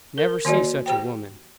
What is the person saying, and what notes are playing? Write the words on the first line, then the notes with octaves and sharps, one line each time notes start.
I never see such a woman.
A#4
D#3 A#3 F#4 D5 D#5
G4 C5 G5